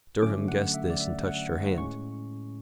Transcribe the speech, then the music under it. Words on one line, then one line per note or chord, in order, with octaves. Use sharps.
Durham guessed this and touched her hand.
D3 F#3 A3 C#4 D6
F#5
E5
D5
E5
F#5
A2 G#3 C#4 C#6